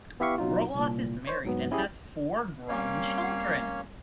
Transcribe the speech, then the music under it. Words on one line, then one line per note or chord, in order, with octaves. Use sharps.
Roloff is married and has four grown children.
B3 E4 G4 E5 F5 C#6
B2 F#3 D#4 F4
C2 A#2
C5 C#5
G#2 F#3 B3
C#4 E4 G4 G#4
G3 A#3 C4 C#4 C#5